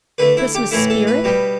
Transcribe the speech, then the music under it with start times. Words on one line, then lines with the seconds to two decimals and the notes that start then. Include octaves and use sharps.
Christmas spirit?
0.18 D3 A3 B4
0.37 E4
0.55 G4
0.71 A2 E3 A3 E4
0.90 A4
1.07 B4
1.24 B2 G3